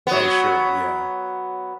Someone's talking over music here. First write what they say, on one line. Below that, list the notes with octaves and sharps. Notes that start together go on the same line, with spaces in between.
Oh, sure. Yeah.
F#3 B3